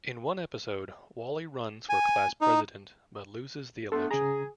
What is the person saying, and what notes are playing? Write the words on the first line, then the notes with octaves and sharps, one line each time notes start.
In one episode, Wally runs for class president but loses the election.
G#5
D#4
A3 B3 D4 A4 C6
C#3 G#4 A#5